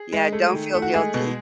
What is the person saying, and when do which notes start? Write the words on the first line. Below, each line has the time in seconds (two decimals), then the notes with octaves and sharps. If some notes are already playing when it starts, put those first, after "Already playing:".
Yeah, don't feel guilty.
Already playing: G#4
0.13 G#3
0.33 A3
0.54 D#3
0.74 A3
0.82 F#4
0.94 G#3 G#4
1.14 B2